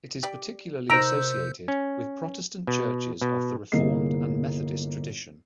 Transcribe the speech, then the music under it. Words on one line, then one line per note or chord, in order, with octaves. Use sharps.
It is particularly associated with Protestant churches of the Reformed and Methodist tradition.
G4 D5
C3 D#4 A#4 C5 A#5 E6 G6
C#4
B2
B2
G1 C2 A#3 G#4 D#5 C7